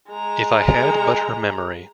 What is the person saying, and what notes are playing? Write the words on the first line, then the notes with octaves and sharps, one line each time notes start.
If I had but her memory!
G#3 A#5